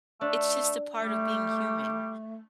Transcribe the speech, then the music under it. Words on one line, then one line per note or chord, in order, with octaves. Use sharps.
it's just a part of being human,
A3 D4
G3 A3